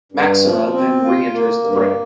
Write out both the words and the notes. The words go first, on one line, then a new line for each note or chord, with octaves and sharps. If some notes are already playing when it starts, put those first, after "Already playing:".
Maxima then reenters the fray.
G2
F3
C4
F4
A#3
G2